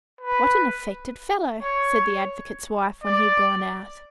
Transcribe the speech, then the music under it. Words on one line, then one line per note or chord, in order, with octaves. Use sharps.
"What an affected fellow!" said the advocate's wife, when he had gone out.
B4
C#5
D5